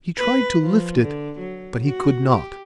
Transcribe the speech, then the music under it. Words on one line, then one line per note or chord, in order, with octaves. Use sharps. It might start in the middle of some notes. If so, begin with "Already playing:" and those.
He tried to lift it, but he could not.
B4
F3
D3
F#3
F#4
G4